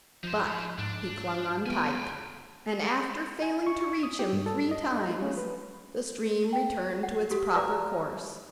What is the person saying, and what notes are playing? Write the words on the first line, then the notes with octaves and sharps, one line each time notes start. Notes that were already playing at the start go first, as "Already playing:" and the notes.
But he clung on tight, and after failing to reach him three times the stream returned to its proper course.
F3 D#4 C5
G#2 D4
B3 G5 G#5
G#5
C#6
C#6
D#6
G4
G2
A4
D#5
D4
F4
C#4
B4
G5
F#5
F#4 G4 A4
B4 D5 E5 A#5 D6